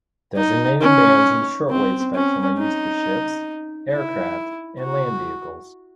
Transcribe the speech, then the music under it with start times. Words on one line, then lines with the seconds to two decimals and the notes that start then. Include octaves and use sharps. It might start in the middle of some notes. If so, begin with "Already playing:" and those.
Designated bands in the shortwave spectrum are used for ships, aircraft, and land vehicles.
0.36 D#4
0.81 C#4
1.70 C4
2.15 C#4
2.59 D#4
3.92 E4
4.82 F#4